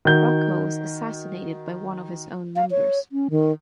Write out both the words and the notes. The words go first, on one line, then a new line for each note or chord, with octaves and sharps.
Rockwell was assassinated by one of his own members.
D#3 F#4 G6
F5
C#5
C#4
D#3